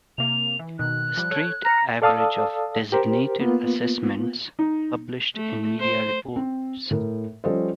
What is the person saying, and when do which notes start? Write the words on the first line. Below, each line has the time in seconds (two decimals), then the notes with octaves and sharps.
A straight average of designated assessments published in media reports.
0.18 C3 A#3 F7
0.59 E3
0.79 B2 D#3 F#6
1.17 F3 G3
1.31 A4 C#5 G#6
1.65 A#5 F6 C#7
2.02 A4 D5 F5 A5 D#6 E6
2.92 G4 A#4 C5
3.40 A#3 B3 F4
4.59 D#4
5.35 A3
5.80 C5
6.36 C4
6.91 A2 A#4
7.44 F3 G3 C#4 A4 C5 D#5